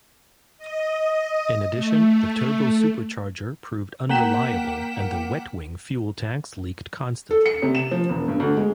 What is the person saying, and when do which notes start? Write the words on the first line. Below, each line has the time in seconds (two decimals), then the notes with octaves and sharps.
In addition, the turbo-supercharger proved unreliable and the "wet wing" fuel tanks leaked constantly.
0.58 D#5
1.75 A3
4.09 A#3 F#5 G5 B6 E7
7.31 A4
7.46 C#7
7.62 C3
7.75 E7
7.91 F3
8.10 E1
8.28 G2
8.40 D2
8.57 G#3